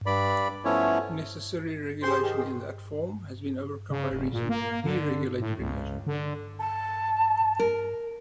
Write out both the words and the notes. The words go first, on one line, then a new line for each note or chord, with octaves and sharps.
Necessary regulation in that form has been overcome by recent deregulatory measures.
G2 D5 B5
F3 A3 B3 C#4 E4 C#5
G4 G#4 C5 C6
D#3
C#3
F1
A#2
A#3
D3
A2
C#2
D3
A5
A#4